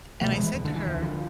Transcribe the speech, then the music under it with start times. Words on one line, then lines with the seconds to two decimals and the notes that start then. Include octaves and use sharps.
And I said to her,
0.21 C2 B2 F3 A3
0.31 E3 G#3
0.43 E3
0.53 E2 E3
0.57 B2
0.65 D3
0.75 E3
0.86 D2 D3 E3
1.02 D3 F3